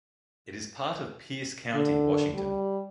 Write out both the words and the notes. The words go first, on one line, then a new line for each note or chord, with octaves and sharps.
It is part of Pierce County, Washington.
D3
G3